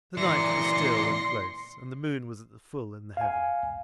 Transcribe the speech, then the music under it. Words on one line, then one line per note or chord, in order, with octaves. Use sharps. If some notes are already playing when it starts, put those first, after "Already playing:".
The night was still and close, and the moon was at the full in the heavens.
A#2 E3 D5 C6 A#6 C#7
F5 G#5